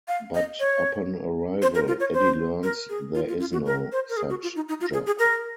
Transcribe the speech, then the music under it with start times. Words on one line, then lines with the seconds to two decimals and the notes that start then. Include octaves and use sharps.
But upon arrival, Eddy learns there is no such job.
0.08 F5
0.34 D#5
0.60 C#5
1.62 C5
1.75 A#4
1.88 F4
2.00 C#5
2.13 C5
2.63 A#4
2.89 G#4
3.15 F4
3.28 F4
3.40 F4
3.53 F#4
3.66 A#4
3.92 C5
4.09 A#4
4.17 G#4
4.30 F#4
4.43 F4
4.56 D#4
4.69 D#4
4.81 F4
4.93 G#4
5.06 G#4
5.19 A#4